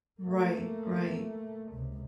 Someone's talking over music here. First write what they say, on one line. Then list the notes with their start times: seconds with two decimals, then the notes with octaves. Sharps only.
Right, right,
0.20 A3 A#3
1.72 C#2 C3